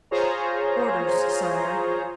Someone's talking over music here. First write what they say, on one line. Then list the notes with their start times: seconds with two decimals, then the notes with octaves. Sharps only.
"Orders, Sire."
0.11 F4 G#4 C5 C#5 A#5